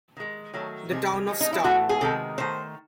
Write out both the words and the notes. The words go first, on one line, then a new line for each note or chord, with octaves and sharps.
The town of Sta.
D#3 G#3
D#3 F#3 A3
C3 D#3 G#3
D#3 G#3
D#4
E4
A2 E3 A3 F#4
G#4
C3 D#3 G#3 A4
D#3 A3 C5